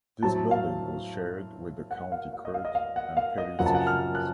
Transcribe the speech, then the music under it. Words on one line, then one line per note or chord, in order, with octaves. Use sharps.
This building was shared with the county court and petty sessions.
A2 F#3 C4 A5
F5
F#5
F5
F5
D#5
F5
D#5
F5
F#5
F5
D#5
F#2 C#3 F3 C4 F#5
A5
F#5
F6
F#6